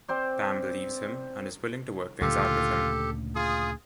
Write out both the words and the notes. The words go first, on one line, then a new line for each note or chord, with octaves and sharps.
Pam believes him, and is willing to work things out with him.
C4 C5 D5
D2 A#2 C#3 F4 G4 A4
F4 G#4 D#6